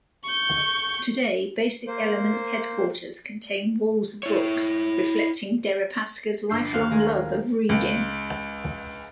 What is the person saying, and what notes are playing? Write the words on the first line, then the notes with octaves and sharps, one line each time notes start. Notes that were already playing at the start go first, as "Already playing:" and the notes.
Today, Basic Element's headquarters contain walls of books, reflecting Deripaska's lifelong love of reading.
C#6 G6
A#3 C5
E4 C#5
G1 D4 G6 C7
D#1 F#4 C5 F5
D#3 G#3 G#4 A#4
C#2